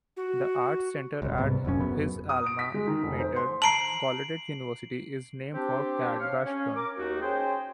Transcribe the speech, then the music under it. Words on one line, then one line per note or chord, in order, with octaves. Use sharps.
The arts center at his alma mater, Gallaudet University, is named for Cad Washburn.
F#4
D#1 C#2
C2 G#2 C3 B3
F1 A#1 F#2 C#4
F#1 F#2 B3
D#6
D7
B6
G#3
D#3
F1
C5
C6
A5 A#5 C7 D7 F#7
C4 D4 G4
C#5 F5
C#4
A#4 D6
D#2 A3 D#4 F#4
C#4 G#4 C5 G5